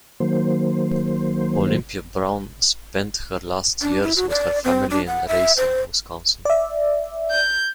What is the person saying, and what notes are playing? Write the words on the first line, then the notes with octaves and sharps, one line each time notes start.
Olympia Brown spent her last years with her family in Racine, Wisconsin.
D#3 F#3 A#3 C5
D4
E4
F#4
D5
C4
D4
F#5
E5
C5
D5 E5
G6